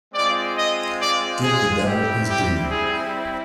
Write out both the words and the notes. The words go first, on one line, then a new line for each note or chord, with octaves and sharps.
Give the devil his due.
G#3 C4 F4 D5
D#5
D5
G#4
G3 C4 E4 G4
G4
G#4